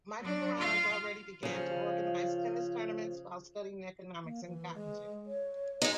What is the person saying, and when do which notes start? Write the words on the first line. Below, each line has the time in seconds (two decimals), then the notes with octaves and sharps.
Michael Mronz already began to organise tennis tournaments while studying Economics in Gottingen.
0.20 F#3 D4
0.58 F4 F5
1.43 C#3 F3
4.24 A#3
4.45 E3
4.74 G#3
5.27 C#5
5.82 G#3 D#4